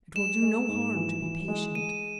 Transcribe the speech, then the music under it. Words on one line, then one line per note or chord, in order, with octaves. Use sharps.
It will do no harm to be patient.
G#3 E7
G#3
G#2
E3
E3
G#3
G#3 D#7